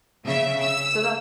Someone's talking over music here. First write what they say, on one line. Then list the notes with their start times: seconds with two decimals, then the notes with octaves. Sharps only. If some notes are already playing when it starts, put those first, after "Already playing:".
So that's
0.24 C#3 E5
0.62 E6